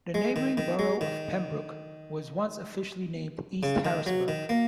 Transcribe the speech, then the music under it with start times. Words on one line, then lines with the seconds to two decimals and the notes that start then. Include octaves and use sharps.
The neighboring Borough of Penbrook was once officially named "East Harrisburg".
0.14 G#3
0.36 D#3
0.57 D#3
0.79 G#3
1.01 D#3
3.63 C#3
3.85 D#3
4.06 F#3
4.28 D#3
4.49 A#3